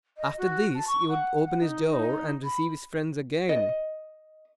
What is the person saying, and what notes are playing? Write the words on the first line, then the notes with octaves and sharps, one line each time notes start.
After this he would open his door and receive his friends again.
D#5
F#4
A5
C#6
F#5
F#5
D#4
D#4
B5
D#5